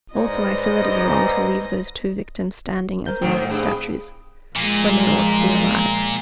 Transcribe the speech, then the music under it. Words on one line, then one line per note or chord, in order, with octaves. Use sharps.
Also I feel it is wrong to leave those two victims standing as marble statues, when they ought to be alive.
G#2 B4 C5 D5 D#5 A#6
A#4 C5 G6
F2 A2 D#3 C4
G2 G#4
A#2 F3 G#3